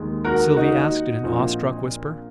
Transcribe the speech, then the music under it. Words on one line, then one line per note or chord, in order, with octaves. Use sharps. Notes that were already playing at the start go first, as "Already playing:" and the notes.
Sylvie asked in an awestruck whisper.
Already playing: D#2 D#3 G#3
F#4 A#4
D#4 F#4
A#1 A#2 F3 C4